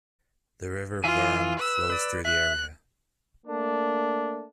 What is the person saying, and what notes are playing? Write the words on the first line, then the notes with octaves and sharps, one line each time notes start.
The river Wurm flows through the area.
E3 F4 F5 G#5
B4 E6
B4 D5
E5 F#6
A3 A#3 D4